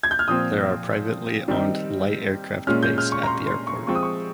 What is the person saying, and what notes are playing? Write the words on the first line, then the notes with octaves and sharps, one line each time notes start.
There are privately owned light aircraft based at the airport.
G#6
G6
F6
A#2 F3 C4 D#6
D#3 G3 C4 D#4
A#2 G#3 C#4 F6
G6
F6
C#6
A#5
C6
C6
C#6
F3 G#3 C4 C#6
D#6
C#6